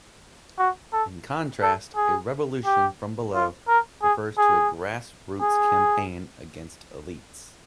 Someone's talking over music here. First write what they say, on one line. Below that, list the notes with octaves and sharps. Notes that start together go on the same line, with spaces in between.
In contrast, a "revolution from below" refers to a grassroots campaign against elites.
F#4
A4
A4
G#4
G4
F4
A#4
G#4
G#4
G#4